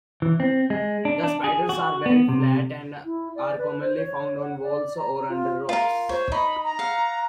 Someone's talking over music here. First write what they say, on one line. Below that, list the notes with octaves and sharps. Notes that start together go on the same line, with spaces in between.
The spiders are very flat and are commonly found on walls or under rocks.
E3
C4
G#3
D4
D4
G#4
F#4
B3
C3
E4
D5
B4
C5
C#5
F#5
D5
A#5
F4
F4 A#4
C5 C#5
D#4 B5
A#5
F5 F#5